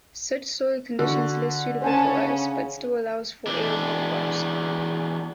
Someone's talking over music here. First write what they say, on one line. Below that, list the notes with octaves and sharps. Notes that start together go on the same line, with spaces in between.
Such soil conditions less suitable for rice, but still allows for arable crops.
D3 F#4
C#3 C#4 C5 G#5 A5
E2 D4